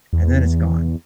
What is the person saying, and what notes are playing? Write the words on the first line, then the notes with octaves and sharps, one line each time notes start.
and then it's gone,
E2